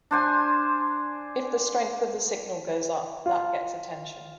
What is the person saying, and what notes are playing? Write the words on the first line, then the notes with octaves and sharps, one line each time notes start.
If the strength of the signal goes up, that gets attention.
D4 C5 G#5
F4